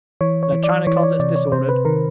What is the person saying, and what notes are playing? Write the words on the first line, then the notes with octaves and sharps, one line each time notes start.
Their china closets disordered.
E3 C#5
C#5
E3
D5
E3 C#5
D5
C#5
C3 D5
C#5
C3 C5
B4
D#3 A#4